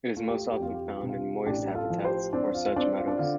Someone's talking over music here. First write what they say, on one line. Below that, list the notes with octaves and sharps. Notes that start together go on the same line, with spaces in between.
It is most often found in moist habitats or sedge meadows.
A3 F4
G4
F4
G4
F2 F4
G4
F4
G4
C3
F4
A1 D4 G4
F4 A4
F3
G4 C5
C4 D4
F4
F4
C4 D4
F4
D4
D3 F4